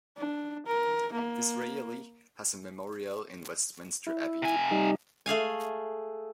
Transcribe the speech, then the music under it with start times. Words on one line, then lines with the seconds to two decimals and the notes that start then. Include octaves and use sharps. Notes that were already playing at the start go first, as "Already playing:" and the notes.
Disraeli has a memorial in Westminster Abbey.
0.17 D4
0.66 A#4
1.13 A#3
4.07 E4
4.42 C3 G#5
4.71 G3 D#4
5.26 A3 G#4 F5 G#5